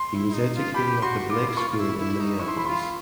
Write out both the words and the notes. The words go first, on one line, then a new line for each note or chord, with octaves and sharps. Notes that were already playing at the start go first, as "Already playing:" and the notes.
He was educated at the Blake School in Minneapolis.
Already playing: C6
E4
E4
D#4
F4
G4 B5
F#4 C6
F4 D6
E4
F4 C#6
F4
E4
E4
D#4
E4 C#6
C6
B5
F4 C6